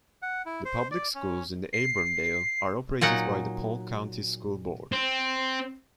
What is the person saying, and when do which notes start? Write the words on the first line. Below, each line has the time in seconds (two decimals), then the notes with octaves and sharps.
The public schools in Auburndale are operated by the Polk County School Board.
0.22 F#5
0.46 E4
0.65 C5
0.91 D5
1.15 C#4
1.73 C7
3.01 A#2 F#3 D#4 F#5
4.92 C4